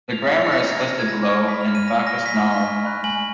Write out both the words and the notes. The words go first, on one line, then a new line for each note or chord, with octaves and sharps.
The grammar is listed below in Backus-Naur form.
F6 F7
A#5 C#7
F6 A#6
A#5 G#6
F6 A#6
G#6
B5 A#6
F6
B5 B6
F7
F6
D#7
G#5 A#6
C#6 F6 A#6
G#5 B6
C#6 F6
G#5
B5 F#6
G#5 F#7